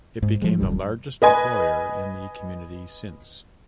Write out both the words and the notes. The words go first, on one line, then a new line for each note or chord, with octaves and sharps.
It became the largest employer in the community since.
G#2
F3 G#3
D#1 B1 F#2 G3
B4 D#5 G#5 B5